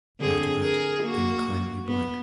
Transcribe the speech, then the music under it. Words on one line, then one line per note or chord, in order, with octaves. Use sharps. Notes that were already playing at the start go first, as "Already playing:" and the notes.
After that came a kindly blank.
D3 C4 G#4
G#4 A#4
A#3 F#4
B3